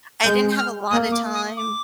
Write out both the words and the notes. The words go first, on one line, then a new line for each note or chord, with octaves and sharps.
I didn't have a lotta time
G#3 G6
G6
F6
A#3 D#6
D6
D#6
D6